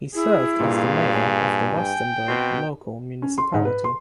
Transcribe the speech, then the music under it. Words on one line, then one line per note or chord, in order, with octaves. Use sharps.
He served as the mayor of the Rustenburg Local Municipality.
E4 G#4
G2 A#2 G#4 F5
G#5
G5
B2 C4
C#4
C6
G#2
B4
C6